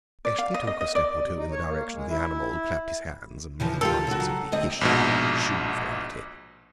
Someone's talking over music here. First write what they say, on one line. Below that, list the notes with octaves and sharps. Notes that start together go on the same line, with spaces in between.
Eshley took a step or two in the direction of the animal, clapped his hands, and made noises of the “Hish” and “Shoo” variety.
D5
F5
D#5
D#5
D#5
D5
C3
D#4
C#5
A#3
G#3
E4
C#3 E3 F3
F4 G4 A4 A#4
C#3 F#4
F#3
D2 C4 D#5
A#1 G#2 B2